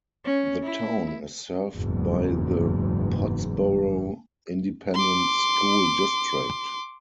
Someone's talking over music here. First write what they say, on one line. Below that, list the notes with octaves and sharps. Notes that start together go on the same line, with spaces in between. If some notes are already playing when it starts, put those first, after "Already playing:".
The town is served by the Pottsboro Independent School District.
C#4
E4
F#1 E2 G#2
C6 D6